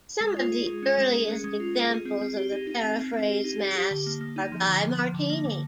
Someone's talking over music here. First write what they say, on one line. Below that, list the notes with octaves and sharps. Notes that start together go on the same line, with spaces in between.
Some of the earliest examples of the paraphrase mass are by Martini.
G#3
F4
G#4
G#3
C#4
G#3
G#4
C#4
G#3
F4
G#4
G#4
C4
C4
G4
D#4
D#4
C4
C4
C4
G4
D#4
G4
G4
D3
A#3
A#3
D#4
F3
D3
F3
F3
D3
A#3
D3